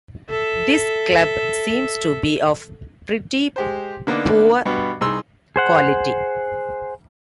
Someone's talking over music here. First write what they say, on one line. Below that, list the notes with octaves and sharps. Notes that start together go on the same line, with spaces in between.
This club seems to be of pretty poor quality.
A4 E5
G#3 G4 C5
D3 A#3 B3 D4 D#4
G2 B2 B3
C2 D#4 G#4 C6 E6
G#4 C5 F#5